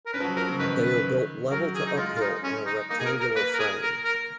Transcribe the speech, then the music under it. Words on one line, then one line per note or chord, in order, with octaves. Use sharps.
They are built level to uphill in a rectangular frame.
A#4
C#4 B4
F3
F#3
F3 A#4
C#3
D#3 B4
B4
F#3 A#4
G#4
D#4
G#3 F4
F4
D#4
C#4
D#4
A#3 D#4
G#4
A#4
A#4
A#3 B4
A#4
G#4
A#4
A#4